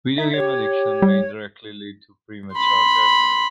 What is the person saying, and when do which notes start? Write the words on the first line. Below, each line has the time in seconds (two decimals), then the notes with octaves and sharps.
Video game addiction may indirectly lead to premature death.
0.18 D#4 E5
0.34 G4 C#5
1.02 G3
2.54 B5 C6